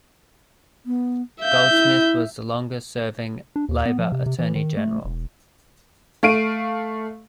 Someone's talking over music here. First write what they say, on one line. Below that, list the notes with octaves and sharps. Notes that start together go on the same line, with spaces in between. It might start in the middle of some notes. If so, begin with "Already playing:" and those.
Goldsmith was the longest serving Labour Attorney General.
B3
E5 F5 G6
E4
D4
D#2
B3
F3
C3
C3
E3
D#3
A3
E1
A3 F5 D7 D#7